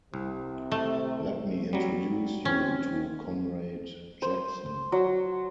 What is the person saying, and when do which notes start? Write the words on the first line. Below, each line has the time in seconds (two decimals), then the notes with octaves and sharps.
Let me introduce you to Comrade Jackson.
0.14 C2 C3
0.72 A3
1.73 F#3 G3
2.45 C4 C#4
4.22 C5
4.92 F#3